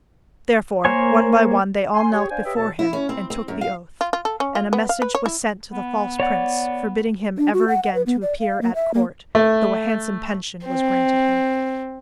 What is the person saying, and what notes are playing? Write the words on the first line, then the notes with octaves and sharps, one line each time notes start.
Therefore one by one they all knelt before him and took the oath, and a message was sent to the false prince, forbidding him ever again to appear at court, though a handsome pension was granted him.
A#3 A#4 C5 C#5 G#5
G#5 C6
G4 G#4 C#5
D4 C5 F5 G5 G#5
G4 B4 C#5 D#5 E5 G5
E2 B2 C#5 E5 A5
E4
C#4
C4
C4
F#2
F5
F4
F4
A4
C#4
F4
B3
F5
B4
C#5
E4
B3
C#5 D5 F#5
D4
F#4
F#5
F#5
B4
B3
D5
F5
A#3
E5
A#3
A3
C4